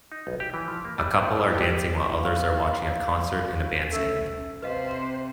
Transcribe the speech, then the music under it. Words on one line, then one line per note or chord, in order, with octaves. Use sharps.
A couple are dancing while others are watching a concert in a bandstand.
D#4
B1
G4
E3
F3
A#3
G3
E4 G4 B4
F5
A3 C#4 A4 E5
C3 B4 C5 D#5 F5